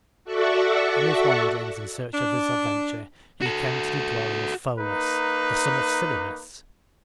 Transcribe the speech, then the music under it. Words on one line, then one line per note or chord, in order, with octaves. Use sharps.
On his wanderings in search of this adventure he came to the dwelling of Pholus, the son of Silenus.
F#4 A4 D5 E5 F#5 C#6
D4
F#4 A4
A#3 D#4 B4